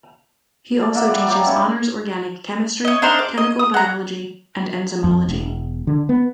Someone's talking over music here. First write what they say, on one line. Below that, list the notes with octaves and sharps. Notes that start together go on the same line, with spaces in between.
He also teaches Honors Organic Chemistry, Chemical Biology and Enzymology.
D5
A#3 E5 F#5
G3 D5
F#3 G4
G3 C#4 E5 B5
C#5 D#5
D4 D#4 A#4 C5
D6
D#5
D#6
F#5 A#5
F2
E1
D3
B3